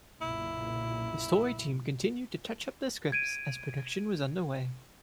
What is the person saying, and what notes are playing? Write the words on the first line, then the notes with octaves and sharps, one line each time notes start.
The story team continued to touch up the script as production was underway.
F#1 B1 A#2 E4
G#6 D7 D#7